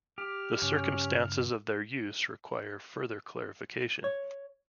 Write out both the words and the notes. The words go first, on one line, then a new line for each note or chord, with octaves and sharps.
The circumstances of their use require further clarification.
G4 F6
G2 C#3 C#4
C#5